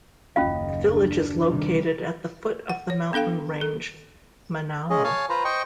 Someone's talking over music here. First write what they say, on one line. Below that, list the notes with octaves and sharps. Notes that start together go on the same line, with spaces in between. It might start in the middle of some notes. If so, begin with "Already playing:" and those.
The village is located at the foot of the mountain range Mainalo.
F#1 D#2 C#4 F4 D#5 F5
D4
C3 D#3 G3
F#5
C#5
B3 D4 A4 F5 G5
A4
G#3 C#4 G#4 D#5
C#5 F5 G#5 A5
F4 B4 C5 A#5
C5 D#5 G5 C#6